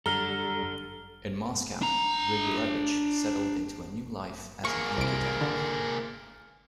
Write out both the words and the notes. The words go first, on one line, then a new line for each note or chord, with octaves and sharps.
In Moscow, Grigulevich settled into a new life as an academic.
F#2 G3 D4 A4 A#5 F6 G7
D4 A#5
A#3 G#4 C#6
C2 D7
D3